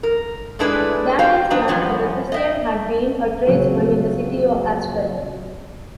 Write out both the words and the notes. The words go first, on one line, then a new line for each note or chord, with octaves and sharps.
Daniel's grandfather Christian had been a tradesman in the city as well.
A#4
G#3 A3 D4 E4 G#4 B4
F#4 G4 C5 F5 G5
G3 D4 B4 D#5 A#5
B2 F3 G3 C#4
D#5 E5 G5
A#1 C#3 F#3 C4 F#4